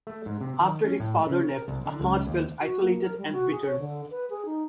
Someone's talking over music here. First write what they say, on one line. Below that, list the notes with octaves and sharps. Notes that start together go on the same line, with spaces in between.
After his father left, Ahmad felt isolated and bitter.
A3
G#2
C3
D#3
C#4
A2
C#3
A#4
C2
D3
C#2
D#2
F#4
A#3
A#4
G3
F#4
G#4
C#5
D3
B4
G#4
D#4